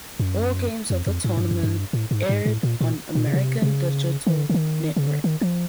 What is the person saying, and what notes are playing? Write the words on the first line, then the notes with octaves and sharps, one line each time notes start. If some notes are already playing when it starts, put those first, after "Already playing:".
All games of the tournament aired on American Digital Network.
F#2
F2
F2
G#2
G2
F#2
G2
A2
G#2
G#2
A2
A#2
A#2
A#2
C#3
C3
C3
C#3
D#3
D3
D3
D#3
C#3
D3
D#3
F3